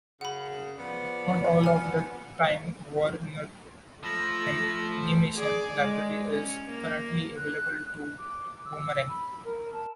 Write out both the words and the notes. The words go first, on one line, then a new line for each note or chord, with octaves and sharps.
Not all of the Time Warner animation library is currently available to Boomerang.
F#2 C#3 F#5 B5
F3 B3 D5
G#5 F6
F3 A3 B5 E6 A#6
G#4 D5
G#3
C#4
A#3
F#6
D6
E6
B5
A#4
A5